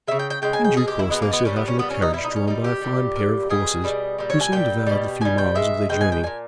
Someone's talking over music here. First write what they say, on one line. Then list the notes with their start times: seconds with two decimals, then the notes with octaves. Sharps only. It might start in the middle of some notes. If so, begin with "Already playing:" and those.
In due course, they set out in a carriage drawn by a fine pair of horses, who soon devoured the few miles of their journey.
0.08 C#3 G#3 E5
0.19 G5
0.30 G5
0.42 C#3 G#3 G5
0.53 G#5
0.64 G5
0.76 B2 G#3 G#4
0.88 G4
0.99 E4
1.10 B2 G#3 B3
1.22 A#3
1.33 B3
1.45 A#2 G3 C#4
1.56 B3
1.68 C#4
1.79 A#2 G3 B3
1.90 C#4
2.02 D#4
2.13 B2 G3 E4
2.24 D#4
2.36 C#4
2.47 B2 G3 D#4
2.64 G4
2.81 A#2 G3
3.16 A#2 G3
3.50 B2 G3 G#4
3.84 B2 G3
4.18 A#2 G3
4.30 C#5
4.41 G#5
4.52 A#2 G3 G5
4.86 B2 G3
5.21 B2 G3 G#5
5.38 G5
5.55 B2 G#3 E5
5.89 B2 G#3 G5
6.01 G#5
6.12 G5
6.23 A#2 G3 G#5